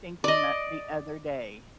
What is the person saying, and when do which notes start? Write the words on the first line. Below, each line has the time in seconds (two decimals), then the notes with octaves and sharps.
thinking that the other day.
0.24 D5 D#5